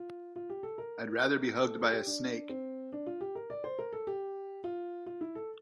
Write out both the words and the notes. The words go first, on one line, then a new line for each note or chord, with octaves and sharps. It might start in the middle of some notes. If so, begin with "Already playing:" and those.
I’d rather be hugged by a snake.
Already playing: F4
F4
G4
A4
A#4
A4
A4
G4
D4
C4
D4
F4
G4
A#4
D5
C5
A#4
A4
G4
F4
F4
E4
A4